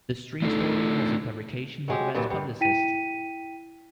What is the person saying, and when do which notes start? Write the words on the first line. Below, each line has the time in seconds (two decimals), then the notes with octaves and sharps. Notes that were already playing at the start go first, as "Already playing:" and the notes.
The string story was a fabrication by the band's publicist.
0.42 A3 D4 D#4 F4 A4
1.88 F#3 G#3 G4
2.15 G2 A#2 E3 F#3
2.30 G2
2.61 E4 G5 B6 D#7